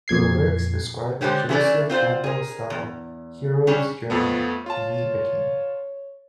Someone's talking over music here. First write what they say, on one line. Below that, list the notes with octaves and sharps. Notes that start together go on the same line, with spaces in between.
The lyrics describe a Joseph Campbell-style "hero's journey" to meet a king.
F2 A#2 G#6 C7
D3 G#3 F4 G4 C5 C#5
E3 A3 C#4 D4 D5
C4 F4 C5 D5
G#4 A#4
E2
G3 C#4 D4 G#4
F2 A3 B3 F4
F4 C#5 A5